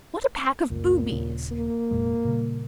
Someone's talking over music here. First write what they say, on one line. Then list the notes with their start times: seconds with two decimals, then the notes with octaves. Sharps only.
What a pack of boobies!
0.70 F#1 C#2 A#2
1.11 D#1 C#3
1.51 A#3
1.91 F1 A#2 G#3
2.25 A#2 C#3 G3